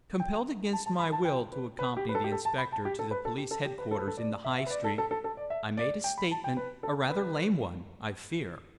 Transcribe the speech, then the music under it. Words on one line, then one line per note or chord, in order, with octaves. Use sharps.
Compelled against my will to accompany the inspector to the police head-quarters in the High Street, I made a statement--a rather lame one, I fear.
G5
A5
A5
B5
A5
G5
B4
B4
G4
B4
A4
G4
A4
A5
B5
A5
G4
A4
B4
A4
G4
A4
G4
B4
A4
B4
A4
D5
E5
E5
B4
D5
A4
A4
A4
A4
D5
E5
D5
G5
B5
A5
G5
B4
A4
B4